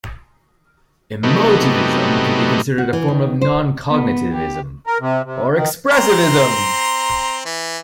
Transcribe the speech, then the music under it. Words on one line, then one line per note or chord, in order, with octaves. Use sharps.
Emotivism can be considered a form of non-cognitivism or expressivism.
C3 F#3 G3 A3 B3 D#4
F#4
E3
D#3
C5
B3
G4
A#4
C3
C3
D#3
C4 A#5 C6
E3